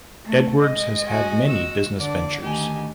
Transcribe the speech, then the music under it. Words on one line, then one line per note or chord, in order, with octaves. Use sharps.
Edwards has had many business ventures.
A3
G#3 D#5
F#4 G#5
F#4 E6
D3 D5
D2 D#3 G4 G#5